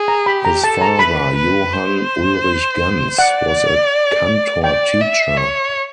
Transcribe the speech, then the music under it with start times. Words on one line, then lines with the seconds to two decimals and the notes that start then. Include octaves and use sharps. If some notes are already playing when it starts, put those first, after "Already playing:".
His father, Johann Ulrich Ganz, was a cantor teacher.
Already playing: G#4
0.08 A#5
0.26 G4 B5
0.45 A#5
0.64 A4 A5
0.81 A#5
0.99 B4 B5
1.36 B4
1.73 C5
3.18 D5 F#5
4.64 D5 G5
5.01 E5
5.37 C#5